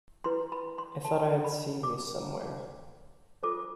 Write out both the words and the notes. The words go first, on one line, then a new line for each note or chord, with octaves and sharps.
I thought I had seen you somewhere.
E4 B4 C6
B5
C6
A5
B5
D6
F4 A4 C5 D6